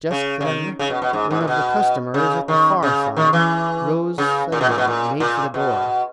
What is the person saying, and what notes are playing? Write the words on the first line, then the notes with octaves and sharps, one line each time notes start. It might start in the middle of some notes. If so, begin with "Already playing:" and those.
Just then one of the customers at the far side rose suddenly and made for the door.
C#3
C#3
D#3
C#3
B2
B2
G#2
G#2
A#2
B2
C#3
D#3
C#3
D#3
E3
C#3
A#2
B2
A#2
B2
A#2
A#2
B2